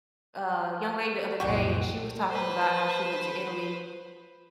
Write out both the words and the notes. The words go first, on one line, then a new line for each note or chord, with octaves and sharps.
a young lady the other day, and she was talking about how she went to Italy.
C2 F#2 A#2 F#4 G4 F#5
B4 C5